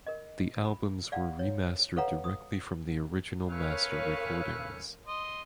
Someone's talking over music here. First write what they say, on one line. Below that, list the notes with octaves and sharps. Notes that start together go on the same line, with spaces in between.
The albums were remastered directly from the original master recordings.
A#4 D#5
B5
D5 F5 F#5
C#5
A4 B4 C#5 F5 F#5 A#5
D#6
A3 C#4 A#4 B4 C#5 F5
D#5 C6